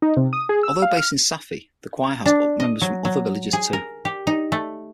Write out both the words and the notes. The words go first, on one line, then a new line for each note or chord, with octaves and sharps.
Although based in Safi, the choir has members from other villages too.
D#4
C3
D#6
G#4
E6
F5
F6
D4
D#5
F#3
F#3
G#4
A#4
G4
D#4
A3